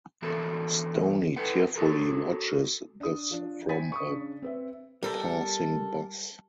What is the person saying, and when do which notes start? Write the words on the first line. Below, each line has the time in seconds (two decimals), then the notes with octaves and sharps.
Stoney tearfully watches this from a passing bus.
0.22 E3 B3 F#4 A4 A#4
1.36 E4 A4 B4 F#5
1.76 F#4 A4 A#4
3.00 D4 D#6
3.31 F3 D4
3.69 C5 G5 G#5 B5 A6 B6
3.92 C#6 D#6
4.09 C#3 D4
4.42 C4 B4 E5
5.03 G3 A4 A#4 C5 B5